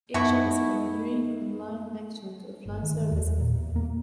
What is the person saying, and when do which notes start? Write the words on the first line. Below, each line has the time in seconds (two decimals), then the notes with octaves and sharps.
Asia is pioneering online action to offline services.
0.14 F#2 B2 B3 D#4 E4 C#6
2.66 G1
2.83 D#3
3.12 E2
3.40 A#2
3.58 E2
3.76 A#3